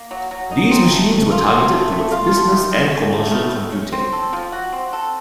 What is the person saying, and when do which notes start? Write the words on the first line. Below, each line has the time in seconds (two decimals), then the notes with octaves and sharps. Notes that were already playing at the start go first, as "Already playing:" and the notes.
These machines were targeted towards business and commercial computing.
Already playing: A#3
0.11 F#3
0.31 F#3
0.51 D#4
0.71 C4
0.92 A3
1.12 A3
1.32 F4
1.52 C4
1.72 A3
1.92 A3
2.12 F4
2.32 A3
2.52 D#3
2.71 D#3
2.92 C#4
3.13 A3
3.32 D#3
3.53 D#3
3.72 C#4
3.92 C4
4.13 A4
4.33 F3
4.52 F#4
4.72 C4
4.93 A4